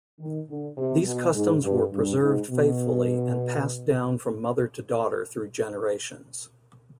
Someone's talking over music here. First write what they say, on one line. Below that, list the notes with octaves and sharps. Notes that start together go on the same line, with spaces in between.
These customs were preserved faithfully and passed down from mother to daughter through generations.
D#3
D3
C3
B2
G#2
G2
G2
G#2
B2